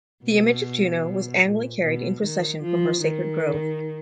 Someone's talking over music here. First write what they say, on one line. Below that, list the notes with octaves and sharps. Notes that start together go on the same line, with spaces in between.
The image of Juno was annually carried in procession from her sacred grove.
B2
A#2
B2
D#3
F3
D#3